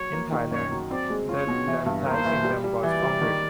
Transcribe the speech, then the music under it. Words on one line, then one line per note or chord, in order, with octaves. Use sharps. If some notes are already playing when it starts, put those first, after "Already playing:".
In Thailand the Lannathai kingdom was founded.
Already playing: F#3 C#5
A#3
D#3
F#2 C#5
F#3
C4 D5
G#3
F4 C#5
B2
E3
G2
A#3 C5
E3
G3
G3
E3 D5
G3
D#3